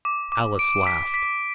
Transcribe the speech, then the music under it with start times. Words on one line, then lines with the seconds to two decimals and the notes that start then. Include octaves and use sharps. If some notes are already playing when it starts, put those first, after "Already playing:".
Alice laughed.
0.05 D6
0.32 D6
0.59 D7
0.87 B6
1.14 B6